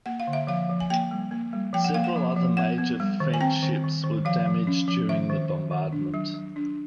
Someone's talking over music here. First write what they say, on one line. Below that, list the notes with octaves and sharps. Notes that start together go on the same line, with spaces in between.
Several other major French ships were damaged during the bombardment.
A#3 F#5
F5
D3
E5
F3 F5
F3
G#5
A#3 G5
G3
A#3
G3
F3 G5
F#5
A#3 F5
F#5
F3
F3
B3 F#5
B3
G3
D#3
G#5
C4 G5
D#3
D#3
D#3
F3 F5
F3
C#4
F3
D#3 E5
D#3
D#3
D#3
D4
F#3
F#3
D4